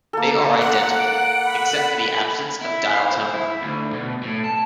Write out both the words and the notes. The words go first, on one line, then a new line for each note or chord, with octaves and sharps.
They are identical, except for the absence of dial tone.
A#3 A4
F#5
D7
B5
E4
F5
C5
E4
D2
B2
A2
A5